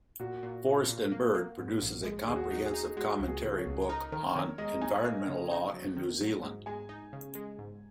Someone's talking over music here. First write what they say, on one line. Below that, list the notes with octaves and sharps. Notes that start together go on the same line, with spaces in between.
Forest and Bird produces a comprehensive commentary book on environmental law in New Zealand.
A#2 F#4
A#2
A#2
A#2
A#3
A#3
G#2
A#1
G#3
D#2 G#4
F#4
D#4
G#4
D#4
G#3 F#4
C#2
G#4
C#2
C#5
C#2
D#4 A#4
D#3 A#4
D#3 C#5
G#3 D#5
D#4 G#5
A#3
C#3
D#4
F#3
D#3
F#3
G#2
G#3 G#5
D#4
C#3
G#3
G#2